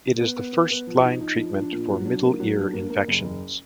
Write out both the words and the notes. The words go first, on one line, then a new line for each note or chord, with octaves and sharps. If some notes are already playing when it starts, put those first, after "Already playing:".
It is the first line treatment for middle ear infections.
B3
B3
B3
B3
F3
D#4
D#4
F3
D4
A#2
F#3
D4
A#3
F#3
D4
A#3
A#3
F#1
F#1